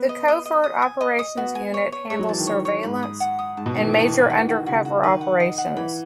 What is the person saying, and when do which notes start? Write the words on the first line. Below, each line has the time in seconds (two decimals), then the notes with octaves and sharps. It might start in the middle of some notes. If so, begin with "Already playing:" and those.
The Covert Operations Unit handles surveillance and major undercover operations.
Already playing: B3
0.09 D#5
0.28 D#5
0.45 D#5
0.64 D#6
0.82 G#5
1.01 D#5
1.19 D#6
1.37 B3 F#4
1.55 G#5
1.74 C#5
1.92 C#5
2.10 G#3 C#5
2.19 F#3
2.29 E3 A5
2.38 D#3
2.47 C#5
2.65 C#5
2.83 G#2 B5
3.03 D#6
3.20 F#5
3.39 D#6
3.57 G#2 A5
3.66 B2
3.75 D#3 A5
3.84 E3
3.94 D#3 A5
4.02 E3
4.12 D#3 B4
4.21 E3
4.29 D#3 F#4
4.38 E3
4.46 D#3 F#4
4.66 C#3 F#4
4.85 F#4
5.03 D#3 B4
5.21 F#5
5.40 D#5
5.58 F#5
5.77 E3 B5